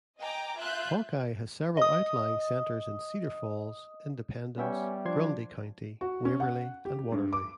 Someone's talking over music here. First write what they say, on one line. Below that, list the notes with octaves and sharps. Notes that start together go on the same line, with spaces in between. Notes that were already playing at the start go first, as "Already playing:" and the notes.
Hawkeye has several outlying centers in Cedar Falls, Independence, Grundy County, Waverly, and Waterloo.
D#5 G5 G#5 A#5 D6
F4 E5 F#6 G6
D#5 D#6
G3 B3 C#4 E5 G5
F3 D4 C6 G#6
F#4
C#4
F#5
G4
G2
D6